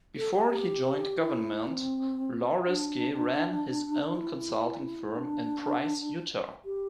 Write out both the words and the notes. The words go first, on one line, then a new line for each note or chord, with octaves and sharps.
Before he joined government, Lauriski ran his own consulting firm in Price, Utah.
A4
G4
G4
E4
C4
D4
E4
D4
G4